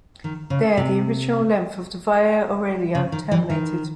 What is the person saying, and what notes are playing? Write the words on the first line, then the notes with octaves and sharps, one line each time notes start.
There the original length of the Via Aurelia terminated.
D#3
C#3
C3
C#3
D#3
E3
D#3